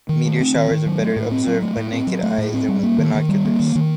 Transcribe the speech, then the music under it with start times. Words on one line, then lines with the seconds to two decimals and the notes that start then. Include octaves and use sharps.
Meteor showers are better observed by naked eye than with binoculars.
0.09 D#3
0.25 A3
0.40 C4
0.55 D#3
0.71 D#3
0.86 F#3
1.01 A3
1.16 A2
1.31 C4
1.47 F#3
1.62 A3
1.77 A2
1.93 C4
2.07 F#3
2.23 A3
2.38 A2
2.54 C4
2.69 G3
2.83 A#3
2.98 D#3
3.15 D#3
3.29 G3
3.45 A#3
3.60 D#3
3.75 D#3